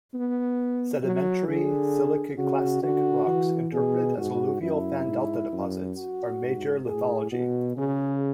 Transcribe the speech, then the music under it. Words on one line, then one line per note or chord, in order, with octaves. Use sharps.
Sedimentary siliciclastic rocks, interpreted as alluvial fan-delta deposits, are the major lithology.
B3
F#3
D3 G#4
C#3 F#4
D3 F#4
E3
B2 G#4
G#2 F#4
F#2 E4
G#2
F#2
F#4
G#2
A2 G#4
B2 F#4
C#3 G#4